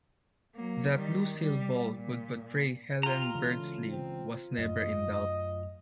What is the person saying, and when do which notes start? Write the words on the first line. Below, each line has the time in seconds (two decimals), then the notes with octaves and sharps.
That Lucille Ball would portray Helen Beardsley was never in doubt.
0.56 F#3 A#3
0.95 D#3 G3
1.38 G3
1.93 A#2
3.03 F4 G4 A#5
3.34 A2 C#3 E3 G#3
3.89 C4
4.58 F#2 A3 D#5